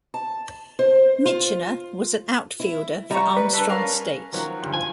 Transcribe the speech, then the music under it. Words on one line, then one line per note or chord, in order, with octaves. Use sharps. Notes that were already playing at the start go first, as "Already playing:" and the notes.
Michener was an outfielder for Armstrong State.
A5
C5
F4
E4
G3 E4 A#5 C#6
B4
D4 A4 B4
C#4 A#4 F5 B5
D#3 F3 F#3
D2 G2
F3 G#5